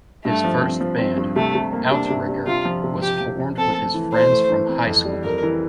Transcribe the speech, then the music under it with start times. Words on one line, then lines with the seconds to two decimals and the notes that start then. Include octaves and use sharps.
His first band, Outrigger, was formed with his friends from high school.
0.25 G2 A3
0.44 F3
0.62 C4
0.81 F3
0.99 C4
1.18 G2
1.36 C3 A3
1.55 C3
1.73 A#3
1.91 C3 D4
2.10 C3
2.28 G3
2.47 C3 F4
2.65 F3
2.84 C3
3.02 C3 G4
3.21 F3
3.39 F3
3.58 C4 A4
3.76 A3
3.94 E3
4.13 A3 C5
4.31 A3
4.49 E3
4.68 C4
4.86 F2
5.05 G3
5.24 F2 A#4
5.43 E3